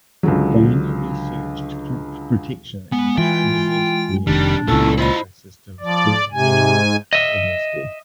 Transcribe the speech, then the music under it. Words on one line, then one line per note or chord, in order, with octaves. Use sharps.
Garner researched crop protection and biodiversity in agroecosystems during her time at Rothamsted.
C#2 D3 F#3
G#3 B3
E3 F4 G5
F1 D#3 G3 D4
C#2 A#2 B3 C#4 E4 A4 A5
E4 F4 C5 D#5 B5
F3 D5
G#2 C3 G#5
D#5 E5